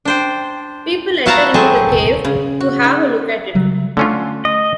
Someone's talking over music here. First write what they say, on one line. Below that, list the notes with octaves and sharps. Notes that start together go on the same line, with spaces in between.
People enter into the cave to have a look at it.
D4 C5 G5
E4 F#4 F5 F#5 A5 A#5
F#3 A3 C4 G#4 G#5 A5
C#3
F#4
D#4
C#3 F#3 G3
D3 A3 C#4 F4
D#5